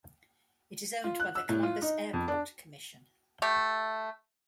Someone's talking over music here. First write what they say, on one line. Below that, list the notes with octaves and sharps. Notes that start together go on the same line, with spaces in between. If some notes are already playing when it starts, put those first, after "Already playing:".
It is owned by the Columbus Airport Commission.
F4
F#6
E6
A2
F4
D#4
F2
D4
A3 G4